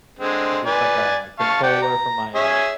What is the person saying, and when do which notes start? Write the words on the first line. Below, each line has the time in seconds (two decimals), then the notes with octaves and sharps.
just, like, a controller for my, uh,
0.19 D3 G#3 C4
0.66 B4 D5 G#5
1.40 F5 A5 C#6
1.63 D5 F#5 G5
1.82 A#5
2.35 C#4 G#4 E5